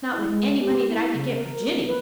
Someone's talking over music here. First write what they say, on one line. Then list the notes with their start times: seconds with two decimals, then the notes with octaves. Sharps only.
"Not with any money that I could get for Jinny."
0.11 E4
0.28 G#3
0.59 G4
0.88 E4
1.13 C#3
1.35 A#4
1.86 B4